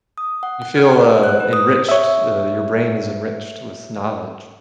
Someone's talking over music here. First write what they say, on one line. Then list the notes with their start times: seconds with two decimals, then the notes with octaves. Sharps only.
You feel, uh, enriched, uh, your brain is enriched with knowledge.
0.18 D#6
0.43 F#5
0.62 F#5
0.76 F6
0.94 F#5
1.10 C5
1.23 F#6
1.40 B4
1.53 D#6
1.71 C5
1.89 C#5 E5